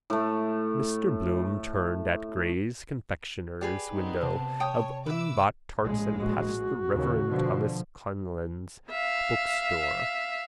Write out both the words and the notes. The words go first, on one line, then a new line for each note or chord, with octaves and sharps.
Mr Bloom turned at Gray's confectioner's window of unbought tarts and passed the reverend Thomas Connellan's bookstore.
A2 A3
G4 G#4 B4 D5
B3 C4 D#4
C3 A5
C#5 G5 D#6
B4 E5 D6 E6
A#1 A2 G#3
F#4
D#2 C#3
B2 D3 F3
E5 F5